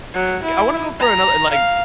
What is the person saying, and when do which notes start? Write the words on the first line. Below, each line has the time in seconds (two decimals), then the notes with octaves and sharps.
I I wanna go for another, like
0.14 F#3
0.43 E4
1.00 A#5
1.52 F5